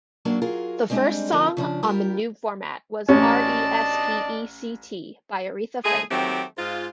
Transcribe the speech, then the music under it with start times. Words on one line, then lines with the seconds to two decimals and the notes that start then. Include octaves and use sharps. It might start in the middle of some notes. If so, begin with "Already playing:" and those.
The first song on the new format was "R-E-S-P-E-C-T" by Aretha Franklin.
0.25 F#3 A#3 C#4 D4
0.42 F#3 F4 G#4 A#4
0.90 G3 G#3 C4 D4 D#4
1.32 D3 F3 C4 D#4 A#4
1.57 C#3 F3 D4
1.83 G3 F4 G4 A#4
3.09 A1 C#4 D5 D#5 A5
5.85 G#3 A3 G#4
6.11 D#3 F#3 A3 C4 G4
6.57 G#2 F4